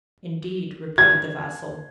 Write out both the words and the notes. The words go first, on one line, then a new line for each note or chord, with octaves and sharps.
"Indeed;" repeated the vassal.
G#6